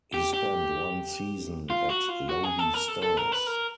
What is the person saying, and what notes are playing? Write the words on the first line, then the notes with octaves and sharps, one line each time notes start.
He spent one season at Lobi Stars.
G4
G4
F4
F#4
F4
F#4
G#4
A4
A#4
A4
A4
A#4
B4
A#4